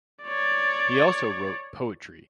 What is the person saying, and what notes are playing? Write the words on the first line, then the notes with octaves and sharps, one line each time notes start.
He also wrote poetry.
C#5 D5